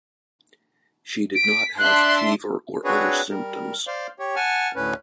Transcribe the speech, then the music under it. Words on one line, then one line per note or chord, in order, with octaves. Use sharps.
She did not have fever or other symptoms.
B6 D7
D4 E5 C6 F#6
C4 D4 F#4 G#4 B4 C#5
G3 A#4
C5 D5 F5
G4 C#5
F#5 G#5 A5 F6
D2 A2 C#4 B4